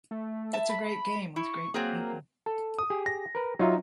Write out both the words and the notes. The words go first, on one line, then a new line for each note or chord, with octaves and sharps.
It's a great game with great people.
A3
E5 A5
B5
E4 C#6
F#3 A#3 C4 G#4
A4
D#6
G4 G#4
A#6
A#4 B4
F#3 D#4 F4 E5